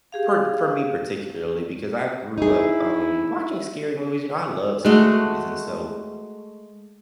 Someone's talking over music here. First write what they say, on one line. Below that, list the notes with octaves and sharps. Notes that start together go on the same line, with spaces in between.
per for me particularly, because I grew up, um, watching scary movies, you know, I love scary movies, and so,
G4 G#4 F5
D#4 E4 G#4
G#3 A3 F#4